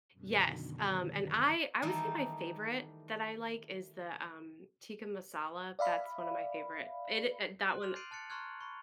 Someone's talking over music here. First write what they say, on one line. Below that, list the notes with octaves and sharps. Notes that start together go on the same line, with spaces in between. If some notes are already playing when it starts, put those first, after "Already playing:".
Yes, um, and I I would say my favorite that I like is the, um, tikka masala. That's one of my favorite. It i uh, that one
F#2 B2 D3 D#3
D#3 E3 G3 A3 D#4
D5 E5 F5 B5
C6 F#6
C6 D6 F6 F7 F#7
C6 G6 A6 C7 D7 D#7
A5 F#6 A6 C#7
A#5 C6 C#6 F6 F#6 G#6
B5 C#6